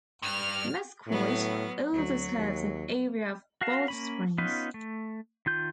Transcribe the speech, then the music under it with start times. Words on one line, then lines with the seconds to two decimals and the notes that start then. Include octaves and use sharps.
Mesquite also serves an area of Balch Springs.
0.22 G2 F6 F7
1.07 A2 F#3 B3
1.93 D2 F#3
2.36 D#2
3.61 F#4 A#4 F5 A5
3.88 A#3 C#4 B5
4.38 B3 C#4 D#4 F4 B4
4.74 A3
5.46 D#3 F4 G6